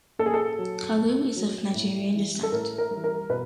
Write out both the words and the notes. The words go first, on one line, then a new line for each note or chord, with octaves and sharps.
Kalu is of Nigerian descent.
A#2 A4
G#4
A4
F#3
A#2
F#3
A2
E3 G3
A4
A2 A#4
A#4
E3 G3
A#4
B2 B4